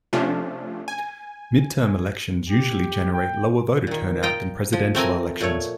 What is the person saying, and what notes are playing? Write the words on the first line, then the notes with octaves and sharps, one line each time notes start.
Midterm elections usually generate lower voter turnout than presidential elections.
C3 F3 A3 C#4 D4 F4
G#5
G4
G5
A#2 D#3
F4 D#5 G5 A#5
F3
A3 C4 A#4 G#5
A#2 A3 C#5